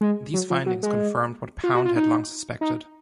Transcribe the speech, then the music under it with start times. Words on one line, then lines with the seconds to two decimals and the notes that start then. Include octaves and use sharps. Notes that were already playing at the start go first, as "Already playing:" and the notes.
These findings confirmed what Pound had long suspected.
0.01 G#3
0.34 F#3
0.50 F3
0.66 F#3
0.83 G#3
1.64 F4
1.75 F#4
1.85 F4
1.96 D#4
2.61 D#4